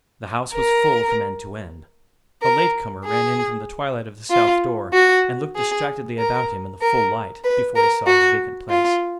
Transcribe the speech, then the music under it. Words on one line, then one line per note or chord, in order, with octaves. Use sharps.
The house was full from end to end; a late comer ran in from the twilight of the south door and looked distractedly about him in the full light before he saw his vacant place.
A#4
A#4
G#4
F4
F#4
G#4
A#4
A#4
B4
A#4
F#4
F4